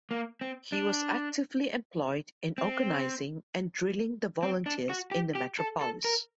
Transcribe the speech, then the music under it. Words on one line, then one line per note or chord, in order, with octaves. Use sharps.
He was actively employed in organising and drilling the Volunteers in the metropolis.
A#3
C4
D4
C4
C4
D4
F#4
G4
G4
A4
A4
A#4